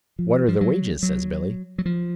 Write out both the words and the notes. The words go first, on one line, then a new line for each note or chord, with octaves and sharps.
"What are the wages?" says Billy.
F3
F3
F#3
F#3
F#3
F3